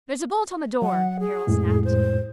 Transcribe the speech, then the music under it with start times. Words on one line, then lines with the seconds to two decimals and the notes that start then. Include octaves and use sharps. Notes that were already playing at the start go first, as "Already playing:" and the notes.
"There's a bolt on the door!" Carroll snapped.
0.82 F#3 F#5
1.20 G#4
1.47 F2 A2 G#3
1.85 C5